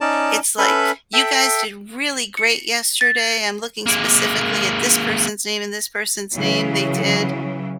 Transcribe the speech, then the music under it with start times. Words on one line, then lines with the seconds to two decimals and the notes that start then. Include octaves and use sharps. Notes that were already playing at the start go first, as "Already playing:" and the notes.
it's like, "You guys did really great yesterday. I'm looking specifically at this person's name and this person's name. They did,
0.01 C#4 D#4 D5 A5
0.58 C#4 A4 B4 E5 B5
1.13 A4 E5 G5
2.37 C#7
3.01 A6
3.87 G#3 A#3
6.34 C#3 E3 F#3